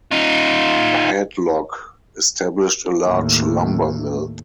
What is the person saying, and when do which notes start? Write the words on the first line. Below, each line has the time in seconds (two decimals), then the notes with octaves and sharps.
Hadlock established a large lumber mill.
0.12 D#4 F4
3.04 D#2 A2